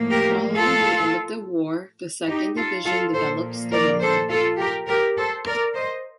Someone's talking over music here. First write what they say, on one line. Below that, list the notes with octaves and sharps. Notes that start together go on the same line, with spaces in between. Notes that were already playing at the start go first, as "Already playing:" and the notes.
Following the end of the war, the second division developed stability.
Already playing: A2 F3 A#3
G4 A#4
F4 A4
D#4 G4
F4 A4
F4 A4
A#2 F3 A#3 A4 C5
A#4 D5
A4 C5
F4 A4
G4 A#4
G4 A#4
A4 C5
A#4 D5
C5 D#5